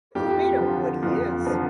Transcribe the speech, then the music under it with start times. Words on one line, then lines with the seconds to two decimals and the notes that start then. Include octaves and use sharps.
Who made him what he is?
0.15 F2 G4
0.59 D3 F3
1.02 F2
1.45 D3 F3